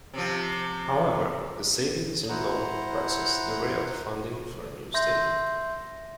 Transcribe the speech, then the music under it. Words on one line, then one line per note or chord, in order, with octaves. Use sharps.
However, the savings and loan crisis derailed funding for a new stadium.
C3 F3
E4 C5 F#5 A#5
E5 C6 G6 A#6